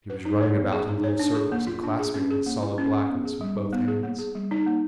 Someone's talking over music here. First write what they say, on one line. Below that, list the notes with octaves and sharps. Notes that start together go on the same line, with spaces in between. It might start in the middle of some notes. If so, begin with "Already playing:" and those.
He was running about in little circles and clasping at the solid blackness with both hands.
B4
D#4
C#5
B3
G#4
D#4
C#5
D4
G#4
A#3
F4
D4
G#4
C#4
G#4
A#3
E4
C#4
G#4
B3
G#4
G3
D#4
B3
G#4
A#3
G#4
G3
D#4
A#3